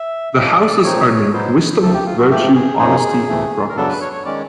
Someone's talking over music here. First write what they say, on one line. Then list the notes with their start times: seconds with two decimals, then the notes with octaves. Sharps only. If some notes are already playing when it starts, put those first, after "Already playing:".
The houses are named Wisdom, Virtue, Honesty and Progress.
Already playing: E5
0.36 D#2 C#3 F3 D#5
0.60 D5
0.84 A#2 F3 G#3 C4 D#4 C#5
1.33 B2 F#3 B3 D#4 C5
1.82 D2 C3 F3 A4
1.94 G4
2.06 F4
2.19 F#4
2.30 G#2 F3 A3 C4 G4
2.55 G#4
2.79 F#2 C#3 F3 A#3 D#4 G#4
3.28 D2 C3 E3 A3
3.69 A#4
3.76 F#2 C#3 F#3 B3 D4 A4
3.89 B4
4.01 C#5
4.13 C#5
4.25 D#3 G#3 C#4 D5